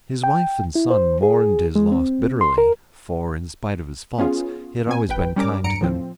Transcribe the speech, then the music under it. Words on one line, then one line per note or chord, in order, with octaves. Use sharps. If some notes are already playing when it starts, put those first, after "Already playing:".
His wife and son mourned his loss bitterly, for, in spite of his faults, he had always been kind to them.
G5
E4
C5
G#4
G#3
C4
C6
A#4
B3 C#4 F4 G#4
A#2 C4 G#5
G#1 B4 G5
G3 C#4 A#4 D6
G2 F#3 A#5 C#7 D7
A2 F3 C4